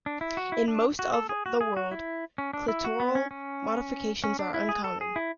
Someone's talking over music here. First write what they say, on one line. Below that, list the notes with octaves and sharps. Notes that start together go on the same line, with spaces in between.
In most of the world, clitoral modifications are uncommon.
D4
E4
F#4
E4
D4
F#4
A4
G#4
F#4
G#4
F#4
E4
C#4
D4
E4
F#4
B3
C#4
C#4
C#4
D4
E4
G#4
A4
G#4
E4